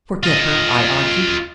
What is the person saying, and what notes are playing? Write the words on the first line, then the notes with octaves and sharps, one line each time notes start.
"Forget her," I argued.
F4 D#5